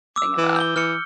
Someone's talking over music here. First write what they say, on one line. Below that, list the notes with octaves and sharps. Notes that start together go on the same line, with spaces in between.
thing about
D6 E6
E3
G6 G7
E3 F6 C#7